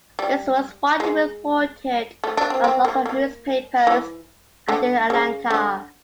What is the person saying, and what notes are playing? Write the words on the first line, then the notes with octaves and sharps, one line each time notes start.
This was widely reported by local newspapers and in Atlanta.
G3
G#3
A3
D4
C4
C4
A#3
A#3
E3
D3
C#3
D3